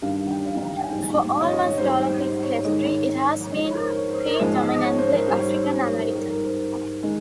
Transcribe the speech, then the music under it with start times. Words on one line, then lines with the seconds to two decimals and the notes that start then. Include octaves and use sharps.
For almost all of its history, it has been predominantly African-American.
0.02 G2 D#3 G3 F5
0.31 G5
0.46 F5
0.78 G#5
0.89 G#2 G3 G5
1.34 F5
1.41 C#5
1.48 D#5
1.62 C#5
1.77 G#2 G3 C5
2.21 C5
2.42 C#5
2.64 G#2 D#3 G#3 D#5
2.79 C#5
3.42 C#5
3.52 G#2 D#5
3.54 F3 G#3
3.66 C#5
3.75 A#4
3.81 C5
3.96 C#5
4.10 C5
4.26 A#4
4.39 G#2 F3 G#3 C5
4.69 D#5
4.84 C#5
4.98 C5
5.13 A#4
5.27 G#2 G3 C5
5.40 C#5
5.54 C5
5.71 C#5
5.85 A#4
6.01 C5
6.15 G3 A#4
6.19 G#2
6.30 A#4
6.44 C5
7.03 D#3 G#3